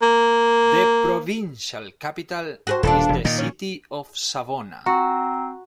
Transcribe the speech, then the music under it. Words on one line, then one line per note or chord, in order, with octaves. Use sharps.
The provincial capital is the city of Savona.
A#3
F#4 G#4 C5
D#1 D4 F4 A4
E1
A#2 D#3 D#4
C#4
C4 F#4 A#5